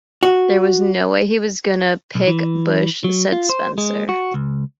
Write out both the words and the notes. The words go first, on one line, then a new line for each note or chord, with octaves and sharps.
"There was no way he was going to pick Bush," said Spencer.
F#4
B1
E3
F#3
F4
C5
G#3
F#4
C#2